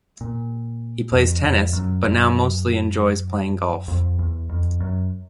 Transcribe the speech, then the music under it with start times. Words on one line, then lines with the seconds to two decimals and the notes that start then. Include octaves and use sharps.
He plays tennis but now mostly enjoys playing golf.
0.21 A#2
1.12 F2
1.43 F2
1.73 F#2
2.04 F#2
3.88 F2
4.19 E2
4.49 F2
4.80 F#2